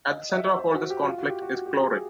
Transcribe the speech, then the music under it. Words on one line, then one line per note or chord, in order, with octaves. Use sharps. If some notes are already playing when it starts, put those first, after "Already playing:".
At the center of all this conflict is Clorinde.
D#5
D#5
E5
C5
F#4
G4
F#4
F4
F#4
G4
F#4
F#4
G4
G#4